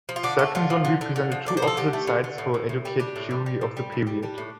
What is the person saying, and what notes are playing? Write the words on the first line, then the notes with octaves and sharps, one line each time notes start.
Salkinsohn represented two opposite sides for educated Jewry of the period.
F3
F4
D3 D4
A3
D3 F4
F3
D3
D3
D3
F3
D3 D5
C5
F3
A4
D3 G4
A3
D3
D3
A2
A2
A2
G3
G3 D4
A2
G3
G3
A2
G3
A2
G3
G3 D4
A2